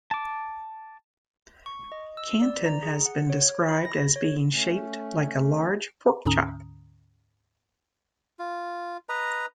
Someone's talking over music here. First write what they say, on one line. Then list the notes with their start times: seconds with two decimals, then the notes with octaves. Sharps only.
Kanton has been described as being shaped like a large pork chop.
0.11 A5 D6
1.66 C#6
1.92 D#5
2.17 E6
2.42 D5
2.66 A#5
2.83 G#4
3.06 F#5
3.30 C#5
3.69 B5
3.85 A#6
4.16 C#5
4.51 A3 C#4
6.25 D2 G#2 D3 C#4 A#5 D#6
8.39 F4
9.09 B4 D#5 A#5